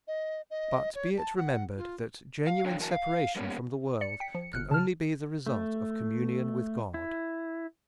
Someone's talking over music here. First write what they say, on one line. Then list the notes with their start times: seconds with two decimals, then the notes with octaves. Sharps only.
But be it remembered that genuine separation from the world can only be the result of communion with God.
0.08 D#5
0.50 D#5
0.95 C#5
1.18 A5
1.37 F#5
1.77 F4
2.47 F5
2.65 D3 F#3 D4 C#5 F5 G5
2.80 F#2 E3 F#4 A#4 G#5 A5
2.91 F5
3.36 G3 A#3 B3 C#4
4.01 D5 C#7
4.20 G5 B6
4.35 F3
4.53 G1 F6 F#6 C#7
4.71 C#3 A5 F6
5.46 A3
6.94 E4